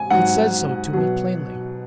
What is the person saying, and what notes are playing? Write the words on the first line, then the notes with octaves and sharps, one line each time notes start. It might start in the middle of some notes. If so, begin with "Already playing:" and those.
He said so to me, plainly.
Already playing: G#2 G#5
G#2 F#3 F#5
B2 F#3